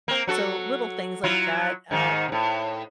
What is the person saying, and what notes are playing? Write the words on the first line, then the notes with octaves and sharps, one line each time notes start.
so, little things like that, uh,
A#3 C4
F#3 F#4 A4
F#3 E4 F4
G#2 D#3
A2 C3